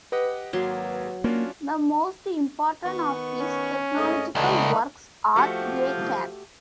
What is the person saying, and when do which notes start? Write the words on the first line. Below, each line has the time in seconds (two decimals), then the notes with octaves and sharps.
The most important of his theological works are: A kath.
0.12 G4 B4 D#5 F#5
0.53 G#1 F#3 A#3 C6
1.24 A#3 C#4 D4 F4
2.85 D#3 B3 C#6
3.41 C#4
3.96 G#2 A3 D#5
4.35 C#2 B2 E3 G3 A3 D#4 B4
5.36 F3 A3 F#4 G4